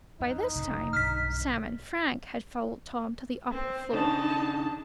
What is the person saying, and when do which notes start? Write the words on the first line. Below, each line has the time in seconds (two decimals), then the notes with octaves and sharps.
By this time Sam and Frank had followed Tom to the upper floor.
0.20 E2 D#4
0.55 F1 F#2 C#3
0.93 B1 G2 D3 F6 B6
3.51 C4
3.93 C#3 D4 D#4 A5